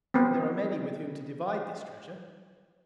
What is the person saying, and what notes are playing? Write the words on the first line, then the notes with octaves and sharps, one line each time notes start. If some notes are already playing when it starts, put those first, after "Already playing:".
"But there are many with whom to divide this treasure...."
B3 C4